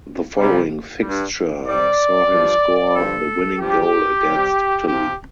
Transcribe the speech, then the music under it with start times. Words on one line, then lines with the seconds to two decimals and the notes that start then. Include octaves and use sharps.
The following fixture saw him score the winning goal against Italy.
0.37 C3 G3
1.01 G2 G3
1.66 C3 G3 D5
2.30 G2 F3
2.95 G2 D3 F3 A4
3.59 G2 F3 G4
4.23 C3 G3
4.88 C3 F3 G4